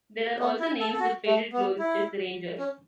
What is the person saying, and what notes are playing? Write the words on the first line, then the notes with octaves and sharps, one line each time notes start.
There are also names with faded glory such as the Rangers.
B3
E4
A4
A4
F#4
A3
B3
E4
C#4